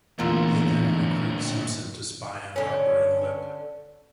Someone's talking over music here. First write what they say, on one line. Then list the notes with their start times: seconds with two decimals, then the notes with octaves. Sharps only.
They then recruit Simpson to spy on Harper and Lipp.
0.19 E2 A#2 D3 A3 A#3 F4 A#5 E6
2.56 D3 C#4